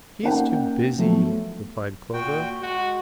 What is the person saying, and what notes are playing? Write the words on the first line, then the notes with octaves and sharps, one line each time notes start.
"He's too busy," replied Clover.
A#3 C#4 D#4 A#4 F#5 G5
F3 F#3 A3 B3 F#4
A#2 F#4 G5
G#3 F#4